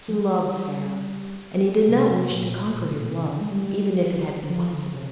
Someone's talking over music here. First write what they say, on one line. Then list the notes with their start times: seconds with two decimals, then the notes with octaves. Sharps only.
He loved Sara--and he did not wish to conquer his love, even if it had been possible.
0.08 F3
0.13 G3
1.88 C3
2.10 C3
2.31 A#2
2.75 A#2
2.85 C3
2.97 A#2
3.07 C3
3.18 C3
3.29 D3
3.40 G#3
3.51 G3
4.49 F3
4.72 D3
4.93 C3